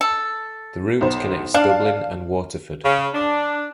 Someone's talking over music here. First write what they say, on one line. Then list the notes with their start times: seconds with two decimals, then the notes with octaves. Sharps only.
The route connects Dublin and Waterford.
0.01 A4
1.01 B1 C5
1.54 D4 F5
2.84 C#3
3.14 D4